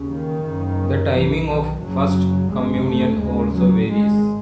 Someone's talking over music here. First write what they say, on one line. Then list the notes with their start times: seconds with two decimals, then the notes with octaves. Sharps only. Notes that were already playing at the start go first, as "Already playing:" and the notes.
The timing of First Communion also varies.
Already playing: D#2 C#3
0.08 D#3
0.43 F#1 F#2 C#3
1.12 B1 B2 E3
1.46 D#3
1.81 F#1 F#2 C#3 F#3
2.50 G#1 F#2 C#3 G#3
2.86 A3
3.20 D#2 C#3 G#3
3.55 F#3
3.90 G#1 G#2 G#3